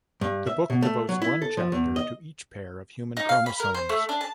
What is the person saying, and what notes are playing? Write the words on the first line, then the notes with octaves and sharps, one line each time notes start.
The book devotes one chapter to each pair of human chromosomes.
G2
E5
B2
A3
F#3
E4
A4
F3
E2
D#5
D#4
F5
B5
A#4
C5
A3
D4
A5